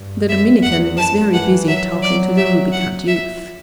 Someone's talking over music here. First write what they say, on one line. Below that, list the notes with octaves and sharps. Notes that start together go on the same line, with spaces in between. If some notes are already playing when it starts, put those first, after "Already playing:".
The Dominican was very busy talking to the rubicund youth.
Already playing: G2
F#2 E5
E2 F#5
F#2 A5
E3 F#5
F#3 E5
D5
E5
F#5
E5